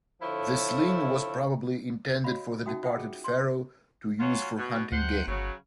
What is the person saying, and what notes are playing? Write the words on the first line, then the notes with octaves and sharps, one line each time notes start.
The sling was probably intended for the departed pharaoh to use for hunting game.
D3 F3 E4 A4 C#5
F#4 C#5 D#5 F5 B5
C#4 D#4 F#4 E5 G5 D#6
F4 C5 E5 F#5 G5 D#6
G#4
C6
F#3 C#4 F4
B2
D2 C3 C5 F#5
G1 C#3 F#3